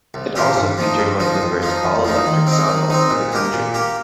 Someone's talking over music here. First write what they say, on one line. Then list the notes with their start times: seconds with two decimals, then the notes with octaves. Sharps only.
It also featured one of the first all-electric sawmills in the country.
0.14 C2
0.36 A#2 F3 A#3 G4
0.56 G2
0.78 F3 D#4
0.99 G2
1.20 F3 D#4
1.41 F2
1.62 F3 D#4
1.83 F2
2.04 F3 D#4
2.26 D#3
2.47 C4 D#4
2.68 D#3
2.90 C4 D#4
3.10 A#2
3.32 A#3 G4
3.53 A#2
3.74 A#3 G4